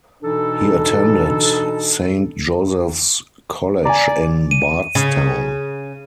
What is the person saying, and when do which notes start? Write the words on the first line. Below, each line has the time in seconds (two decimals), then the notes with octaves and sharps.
He attended Saint Joseph's College in Bardstown.
0.23 B2 E3 D4 D#4 A4
3.85 D5 G#5 A#5
4.51 D#7
4.95 C#3